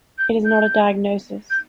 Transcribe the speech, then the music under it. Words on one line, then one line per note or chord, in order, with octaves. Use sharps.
It is not a diagnosis.
G6
G6
G6